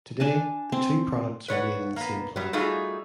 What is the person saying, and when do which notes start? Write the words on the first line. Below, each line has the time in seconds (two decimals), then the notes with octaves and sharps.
Today, the two products are made in the same plant.
0.20 D4 G#5 A5
0.72 C4
1.48 B4 C#5 D5 F#5
1.96 A#3 B3
2.36 F#3 G3
2.53 G3 A3 D#4 F4 F#4 G#4